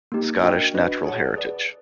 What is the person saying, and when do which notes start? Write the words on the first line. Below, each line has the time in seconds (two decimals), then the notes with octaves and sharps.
Scottish Natural Heritage.
0.12 A#3 D#4 G4
0.43 D4 F#4 A#4 D#5 G5
0.74 D4 F#4 B4 D#5
1.05 G#4 C#5 F#5 A5
1.36 G#4 B4 D5